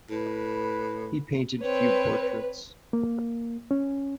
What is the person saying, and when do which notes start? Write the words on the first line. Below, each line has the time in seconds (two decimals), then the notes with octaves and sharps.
He painted few portraits.
0.10 A2 B4
1.62 C4 B4 C#5
2.93 A#3
3.71 C#4